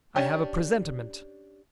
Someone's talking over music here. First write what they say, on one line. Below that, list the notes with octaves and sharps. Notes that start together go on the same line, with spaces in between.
I have a presentiment.
C#4 D4 G4